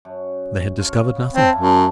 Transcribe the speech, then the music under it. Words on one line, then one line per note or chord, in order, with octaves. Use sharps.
They had discovered nothing.
F#2
F4 C#5
B3
C4 E4 F4 A5
F#2 A3 C#4 D4